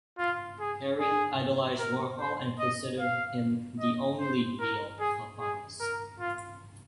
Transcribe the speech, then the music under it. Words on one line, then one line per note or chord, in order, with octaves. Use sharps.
Haring idolized Warhol and considered him the only "real" Pop artist.
F4
G#4
G#4
A#4
C5
D#5
F5
D#5
C5
A#4
G#4
G#4
A#4
F4